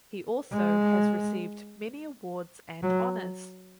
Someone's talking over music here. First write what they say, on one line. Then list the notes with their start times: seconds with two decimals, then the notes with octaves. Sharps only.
He also has received many awards and honors.
0.52 G#3
2.83 F#3